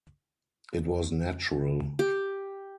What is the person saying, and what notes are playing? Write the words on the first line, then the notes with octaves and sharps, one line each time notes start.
It was natural.
G4